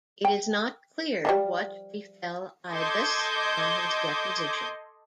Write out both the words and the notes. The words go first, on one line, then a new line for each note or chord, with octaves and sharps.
It is not clear what befell Ibas on his deposition.
G5
E3 F3 G3
A4 D#5 C6 D6 G6 G#6